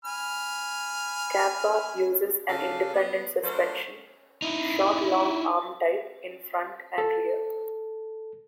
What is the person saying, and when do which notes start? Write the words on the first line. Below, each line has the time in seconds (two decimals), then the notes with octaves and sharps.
Kappa uses an independent suspension, short-long arm type, in front and rear.
0.05 G#5 B5 F6
2.49 C#3 D4 A4 F5
2.94 B3
3.44 F#3 A3 D4 A#4 C5
4.42 D#4 E4
6.98 A4